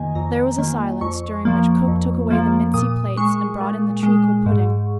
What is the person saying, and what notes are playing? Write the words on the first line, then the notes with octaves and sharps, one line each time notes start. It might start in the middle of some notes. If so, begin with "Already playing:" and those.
There was a silence, during which cook took away the mincy plates and brought in the treacle-pudding.
Already playing: F2 D#3 A#3 D#5 G#5
F2 A#5
D#3 A#3
F2 C#6
F3 A#3
F2
F3 A#3
A#2 D#6
G#3 C#6
A#2
G#3
G#2